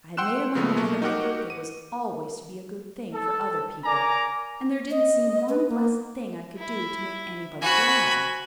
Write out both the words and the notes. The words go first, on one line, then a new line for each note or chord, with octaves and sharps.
I had made up my mind that my birthday was always to be a good thing for other people, and there didn't seem one blessed thing I could do to make anybody glad.
F#5 G5 C6 E6 F#6 E7
C#3 F3 G#3 A3 B3 C#4
B2 F#3 A3 A#3
D#4 F#4 G4 A#4 F#5 D6
D#7
A4
A#4 D5 G#5 A#5 D6
D#5
B4
A#3
E4
C4 F#4 G#5 B5